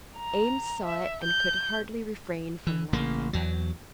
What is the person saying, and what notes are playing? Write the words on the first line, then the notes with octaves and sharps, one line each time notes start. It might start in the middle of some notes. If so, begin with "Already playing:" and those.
Eames saw it, and could hardly refrain from laughing.
A#5
E5
G6
E3
A1 C#3 A#3
E2 F#3